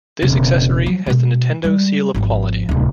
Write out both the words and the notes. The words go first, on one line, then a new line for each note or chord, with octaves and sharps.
This accessory has the Nintendo Seal of Quality.
E1 C#3
F3 F#3
B2 G#3
G3 G#3
G#1 F3
D1 C2